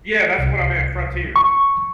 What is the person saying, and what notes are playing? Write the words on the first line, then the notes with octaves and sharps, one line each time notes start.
Yeah, that's what I meant, frontiers.
C2
C#6